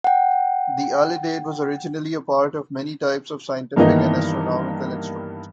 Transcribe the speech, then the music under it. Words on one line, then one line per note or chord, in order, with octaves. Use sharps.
The alidade was originally a part of many types of scientific and astronomical instrument.
F#5 G5
G2 D#3 E3 A#3 B3 D#4